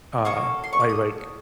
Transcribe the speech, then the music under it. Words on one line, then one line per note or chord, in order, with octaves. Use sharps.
Uh, I like
A#3 C#4 F#4 A4 C#6
C6
C#6
D6
D#6